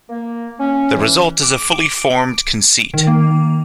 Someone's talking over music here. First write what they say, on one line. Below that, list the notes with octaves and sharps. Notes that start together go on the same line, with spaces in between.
The result is a fully formed conceit.
A#3
C#4
E3
D6
D7
D#3
A#3